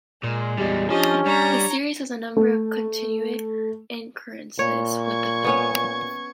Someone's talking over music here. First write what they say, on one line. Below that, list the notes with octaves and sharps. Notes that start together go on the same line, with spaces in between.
The series has a number of continuity incongruences with the film.
A#2 G#3
E2 G3 G4 D5 D#5
F3 C#4 D4 G4 D#5
G3 C#5 A#5
A3
A#2 C#5
C#6 G#6
B3 C#4 C#5